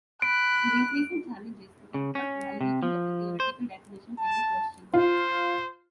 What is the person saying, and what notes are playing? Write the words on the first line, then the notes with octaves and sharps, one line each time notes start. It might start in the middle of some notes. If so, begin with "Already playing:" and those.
With increasing challenges, the construct validity of a theoretical definition can be questioned.
B5 F#6 D7
C#3
C#4
C3
F3
C5
A5
F4 C5